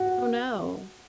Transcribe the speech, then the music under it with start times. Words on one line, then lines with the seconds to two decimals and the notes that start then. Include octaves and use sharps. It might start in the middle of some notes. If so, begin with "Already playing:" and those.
Oh, no.
Already playing: F#4